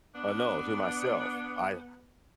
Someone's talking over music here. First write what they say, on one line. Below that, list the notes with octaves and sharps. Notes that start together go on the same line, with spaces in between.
Oh, no, to myself, I
B3 D4